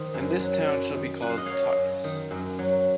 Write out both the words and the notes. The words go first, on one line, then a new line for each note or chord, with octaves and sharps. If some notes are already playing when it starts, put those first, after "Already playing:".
And this town shall be called Totnes.
Already playing: D#3 C5
F#2
F#3
F#2
D#3
F#2 F#5
F5
D#5
F#3 C#5 F5
F#2
D#3
F#2
F#3